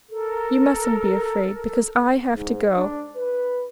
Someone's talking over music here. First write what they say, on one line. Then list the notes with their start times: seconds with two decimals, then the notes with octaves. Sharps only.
You mustn't be afraid, because I have to go.
0.09 A4 A#4
2.35 G#2
2.76 D4
3.17 B4